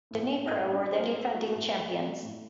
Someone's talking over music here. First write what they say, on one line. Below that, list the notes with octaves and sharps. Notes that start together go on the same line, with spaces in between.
Dnipro were the defending champions.
A2
A3
A2 D#4 D#5
A2
D4 D5
F#3
C5
A3 A#3 A#4
A3 A4
A3 F#4
A2
A3
A3
A3
A2